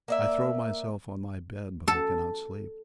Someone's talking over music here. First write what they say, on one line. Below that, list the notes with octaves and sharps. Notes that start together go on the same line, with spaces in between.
I throw myself on my bed; but I cannot sleep.
A#3 D5 E5
A4